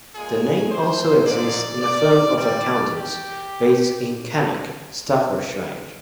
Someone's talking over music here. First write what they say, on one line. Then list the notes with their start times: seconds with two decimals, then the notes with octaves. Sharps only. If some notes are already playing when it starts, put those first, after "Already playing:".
The name also exists in a firm of accountants based in Cannock, Staffordshire.
0.16 A#2 G#3 G#4
0.71 C5
1.26 G#2 F3 G#3 D5
1.81 D5
2.37 G#2 G3 D5
2.92 G4